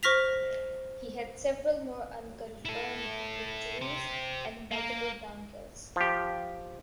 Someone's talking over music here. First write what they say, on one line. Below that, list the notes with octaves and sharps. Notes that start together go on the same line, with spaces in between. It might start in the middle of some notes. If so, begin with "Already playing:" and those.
He had several more unconfirmed victories and multiple ground kills.
C5 C#6 F6 A#6 B6 F7
E4 A4
G4 C5
A#3 A#4
F3 G4